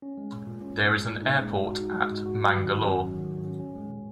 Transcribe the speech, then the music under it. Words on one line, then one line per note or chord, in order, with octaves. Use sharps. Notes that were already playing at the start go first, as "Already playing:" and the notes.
There is an airport at Mangalore.
C#4
G#3
A#2
A#2
C#4
G#3
A#2
A#2
D#4
G#3
G#2
F#4
D#4
G#3
G#2
F#4
F#3
D#3
G#2
C#4
F#3
D#3
G#2
C#4
C#4
G#3
A#2